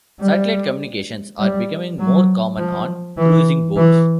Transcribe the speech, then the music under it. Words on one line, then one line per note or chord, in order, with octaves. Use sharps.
Satellite communications are becoming more common on cruising boats.
G3
G3
F#3
F3
E3
E3